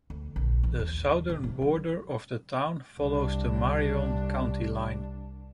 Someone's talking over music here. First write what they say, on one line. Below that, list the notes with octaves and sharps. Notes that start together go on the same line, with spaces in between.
The southern border of the town follows the Marion County line.
D2
A#1
E3
D#2
C#3
C3
C3
F#3
C2 D4